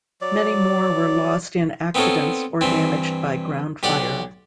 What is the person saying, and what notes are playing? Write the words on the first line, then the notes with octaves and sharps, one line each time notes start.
Many more were lost in accidents or damaged by ground fire.
F#3 D5
B3 C4 D#4 F4 A4 C#5
G2 E3 C4
B1 G4 D5 F#5